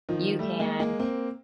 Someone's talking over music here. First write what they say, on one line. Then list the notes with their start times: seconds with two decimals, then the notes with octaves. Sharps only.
you can
0.09 D#3 F3
0.39 G3 A3
0.59 G#3 A#3
0.79 G#3 A#3
0.99 A#3 C4